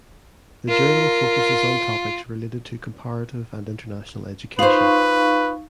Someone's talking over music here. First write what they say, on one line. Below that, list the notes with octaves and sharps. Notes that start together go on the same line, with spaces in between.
The journal focuses on topics related to comparative and international education.
F4 A#4
D#4 F4 B4 C5 F5 C#6